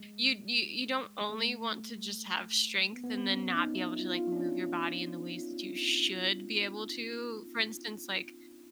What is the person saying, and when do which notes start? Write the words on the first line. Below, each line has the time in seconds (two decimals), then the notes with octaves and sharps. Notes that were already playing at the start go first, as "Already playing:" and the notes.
you you you don't only want to just have strength and then not be able to like move your body in the ways that you should be able to, for instance, like,
Already playing: G#3
1.21 G#3
1.30 A3
2.93 B3
3.04 B3
3.14 C4
3.34 C#4
3.55 D#4
3.74 E4
3.96 F4
4.15 F4
4.32 D4
4.36 C#4